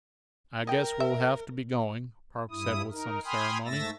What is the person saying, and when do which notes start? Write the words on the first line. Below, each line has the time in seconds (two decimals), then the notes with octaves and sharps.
"I guess we'll have to be going," Park said with some ceremony.
0.67 A#4 D#5 G5
1.00 E5
2.51 G2 E4 D#6
2.91 D#4 A#4
3.25 G5 G#5 B5 C6 D#6 F6
3.65 G#2 A3 E5 E6 A6 A#6